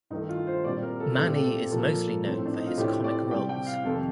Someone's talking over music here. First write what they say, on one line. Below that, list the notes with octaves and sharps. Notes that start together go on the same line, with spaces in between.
Mani is mostly known for his comic roles.
G2 D#3 A3 D#4
F4
C5
A#2 G3 C4 D5
A#4
A4
A#2 A3 C4
G4
A4
A#2 F3 A#3 A4
A2 A3 C4
D4
D#4
F4
A2 A3 C4 G4
D5
C3 G3 C4 G5
G5
F5
F2 C3 D#3 A4